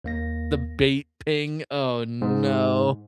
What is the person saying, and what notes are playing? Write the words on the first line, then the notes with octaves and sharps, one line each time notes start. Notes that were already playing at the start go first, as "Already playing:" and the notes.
The bait ping, oh no.
D#2 A#3 A#6
G#2